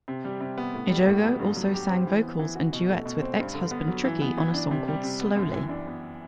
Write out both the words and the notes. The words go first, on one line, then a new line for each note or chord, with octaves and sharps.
Ejogo also sang vocals and duets with ex-husband Tricky on a song called "Slowly".
C3
G3
C3
B3
A2
G3
A2
B3
G2
F#3
G4
C4
E3
B3
E3
F#4
B2
A3
B2
C4
G2
D3
B3
F#3
E3
B3
E3
D4
C3
G3
C3
B3
F#2
E3
D4
B3